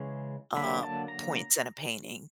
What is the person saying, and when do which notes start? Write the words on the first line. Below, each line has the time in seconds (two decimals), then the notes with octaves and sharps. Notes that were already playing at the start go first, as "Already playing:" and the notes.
um, points in a painting."
Already playing: C#3 E3 G#3 C#4
0.56 D3 F#3 A#3 B5
0.83 A5
1.08 A#5